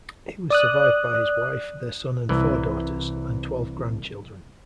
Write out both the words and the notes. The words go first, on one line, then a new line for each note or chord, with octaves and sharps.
He was survived by his wife, their son and four daughters, and twelve grandchildren.
D5 D#6 F#6
C2 E3